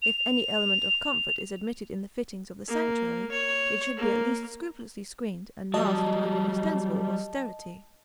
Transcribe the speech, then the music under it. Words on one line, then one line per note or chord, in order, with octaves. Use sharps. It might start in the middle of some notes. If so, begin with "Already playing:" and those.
If any element of comfort is admitted in the fittings of the sanctuary, it should be at least scrupulously screened and masked under an ostensible austerity.
F7
A#3
C#5
A#3
F#3 G3 D#5 A5